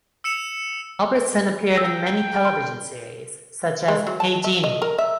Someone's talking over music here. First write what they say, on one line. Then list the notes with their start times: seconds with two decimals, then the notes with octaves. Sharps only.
Albertson appeared in many television series, such as Hey, Jeannie!
0.24 E6 C#7 E7 F7
1.76 G5 E6 A#6
2.45 C6
3.88 G#3
4.07 F#3
4.20 A5
4.44 E5
4.64 D#5
4.82 A#4
4.98 E5